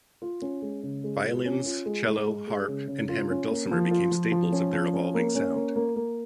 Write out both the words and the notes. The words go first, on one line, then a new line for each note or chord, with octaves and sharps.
Violins, cello, harp, and hammered dulcimer became staples of their evolving sound.
F4
C#4
G#3
C#3
G#3
F4
C#4
F4
G#3
G#3
G#3
G#3
C#3
C#3
F4
C#4
A#3
F3
F4
F3
F3
C#4
F3
C#4
A#3
C#4
A#3
A#3
A#3